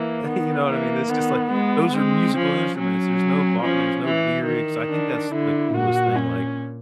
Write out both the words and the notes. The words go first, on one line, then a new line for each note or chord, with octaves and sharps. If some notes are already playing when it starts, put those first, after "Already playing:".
you know what I mean? It's just like those are musical instruments. There's no vo there's no lyrics. I think that's the coolest thing like,
Already playing: E3 A#3
D#3 B3
E3 A#3
D#3 B3
G#3
G#3 C4
F3 C#4
F#3 C#4
F3 C#4
E3
D#3
D4
D3 E4
A#2 F#4
C#4